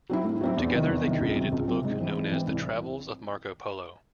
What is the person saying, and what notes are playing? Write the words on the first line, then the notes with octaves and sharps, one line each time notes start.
Together they created the book known as "The Travels of Marco Polo".
F#3 C4 E4
A2
F#3 C4 E4
E2
C3 D#3
E2
C3 D#3
C#2
C3 F#3 C4
C#2
C3 F#3 C4
G#2
E3 C4
G#2
E3 C4
C2